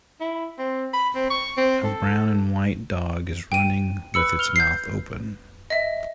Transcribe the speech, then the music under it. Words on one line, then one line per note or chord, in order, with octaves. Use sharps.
A brown and white dog is running with its mouth open.
E4
C4
B5
C4
C#6
C4
A4
G5 D#7
B4 B5 E6 C#7
F6 F7 G7
G6 C7
D#5 E5